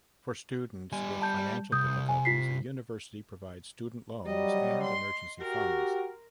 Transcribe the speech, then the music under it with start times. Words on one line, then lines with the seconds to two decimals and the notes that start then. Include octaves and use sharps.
For students with financial difficulties, the university provides student loans and emergency funds.
0.92 G3 G#5
1.22 A5 G6
1.72 C2 D#6 G6
2.09 G#5
2.25 F4 B6 C7
4.26 F#3 G3 D#5
4.83 C6
5.41 F#4 G4 A#4